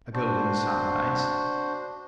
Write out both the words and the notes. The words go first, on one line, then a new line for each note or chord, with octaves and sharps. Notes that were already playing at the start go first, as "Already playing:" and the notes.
A golden sunrise.
D4 F#4 C5